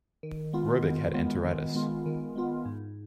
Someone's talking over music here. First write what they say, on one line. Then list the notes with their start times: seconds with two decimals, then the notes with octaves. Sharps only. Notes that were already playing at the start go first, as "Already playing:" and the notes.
Robic had enteritis.
0.23 D#3
0.53 G#3 B3 F4
0.84 D#3
1.14 G#3 B3 F4
1.45 D#3
1.74 G#3 B3 F4
2.06 D#3
2.36 G#3 B3 F4
2.65 G#2